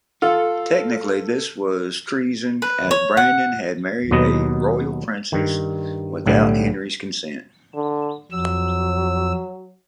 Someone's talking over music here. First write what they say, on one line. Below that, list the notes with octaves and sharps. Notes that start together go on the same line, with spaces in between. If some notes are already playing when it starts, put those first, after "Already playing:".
Technically this was treason, as Brandon had married a Royal Princess without Henry's consent.
F4 A4
B4
C#5
F#5
D#2 B2 F#3 B3 D#5
G2 D#3
B1 A2 D3 G3
D3
F2 F#3 E6